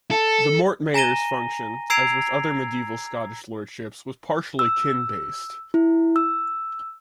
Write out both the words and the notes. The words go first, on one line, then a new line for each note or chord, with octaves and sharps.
The Mormaer's function, as with other medieval Scottish lordships, was partly kin-based.
A4
G#5 A#5 A#6 D#7 G7
A#5 E6 G#6 C7 D7 F7
E6
E4
E6